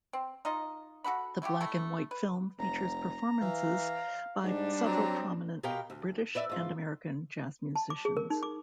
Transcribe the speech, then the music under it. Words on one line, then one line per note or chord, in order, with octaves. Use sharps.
The black-and-white film features performances by several prominent British and American jazz musicians.
C4
D#4 F4 D#5
F#4 A4 F#5 B5
A3 E4 F#4 G4
A3 E4 A4
B4
F1 A#5
E3 F5
G#2 G3 D4
F#3 C4 A#5
B2 G4 A#4 F5 G5
D2
B4 D5 E5
G#2 F4
A5
D6
G#4
A#4
D#4
D6